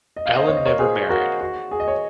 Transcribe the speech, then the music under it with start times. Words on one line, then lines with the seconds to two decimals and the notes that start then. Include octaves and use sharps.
Allen never married.
0.16 D#5
0.26 F5
0.36 C5 D#5
0.47 C#5
0.57 D#5
0.65 A#4 C#5
0.79 G#4 C5
1.09 F#4 A#4
1.41 F#4
1.71 G#4
1.80 D#5
1.88 C#5